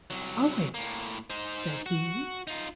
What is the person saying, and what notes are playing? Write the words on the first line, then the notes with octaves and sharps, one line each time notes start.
"Owe it?" said he.
C2 F#3
A2 A#3
D#4 C5
F#4
D#4 F4